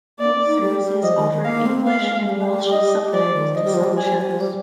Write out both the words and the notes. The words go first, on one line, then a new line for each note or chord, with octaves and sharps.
Both services offer English and Welsh subtitles to some shows.
A#3 D5
D#4
G3
G3
F3 D#5
D#3
D#3
A#3 F5
C4
A#3 F5
G#3
A#3
G#3
G3
D#5
F3 D5
D#3
F3 D#5
G3
F3
G3
F3 G#5
G3
F3
G3
F3
G3